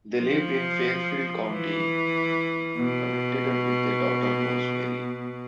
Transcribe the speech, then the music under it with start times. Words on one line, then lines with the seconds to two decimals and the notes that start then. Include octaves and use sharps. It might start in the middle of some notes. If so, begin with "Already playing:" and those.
They lived in Fairfield County, Connecticut, with their daughter Rosemary.
0.20 F3
1.49 E3
2.77 B2